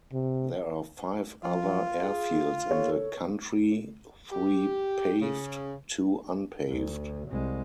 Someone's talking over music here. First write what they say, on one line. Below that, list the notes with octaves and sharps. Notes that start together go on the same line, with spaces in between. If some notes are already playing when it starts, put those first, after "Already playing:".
There are five other airfields in the country, three paved, two unpaved.
C3
F3 F4
G#4
A4 C#5
G4
C#3
D2
C2 G#3